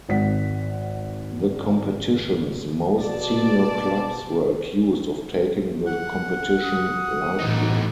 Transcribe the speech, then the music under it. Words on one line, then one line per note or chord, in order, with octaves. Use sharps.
The competition's most senior clubs were accused of taking the competition lightly.
G#1 F#5 B6
B2 D5 A5
F#5
D#6
A2 E3 A3 D#4